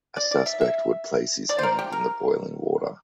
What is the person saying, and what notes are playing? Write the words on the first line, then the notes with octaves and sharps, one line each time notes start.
A suspect would place his hand in the boiling water.
D5
D5
E5
E5
D5
C5
A#4
G4
A#4